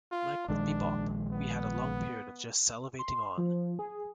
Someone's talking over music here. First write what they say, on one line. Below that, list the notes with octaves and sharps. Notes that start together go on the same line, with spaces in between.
Like with bebop, we had a long period of just salivating on.
F4
A#1 D#3 G#3 D4
B3
C6
F3
G#4